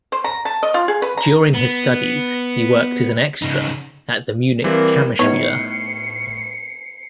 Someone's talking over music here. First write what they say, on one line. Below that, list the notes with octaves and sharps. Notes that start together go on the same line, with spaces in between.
During his studies, he worked as an extra at the Munich Kammerspiele.
C5
A#5
A5
D#5
F4
G#4
B4
A#5
B3
C#3 D#4
E3 G3 A#3 C4
A2 G3 B3 D#4 E4 C#5 C7 C#7